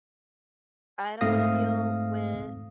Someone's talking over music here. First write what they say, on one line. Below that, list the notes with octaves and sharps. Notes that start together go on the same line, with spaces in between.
I don't wanna deal with,
G#2 A3 C4 F5 D#6 A#6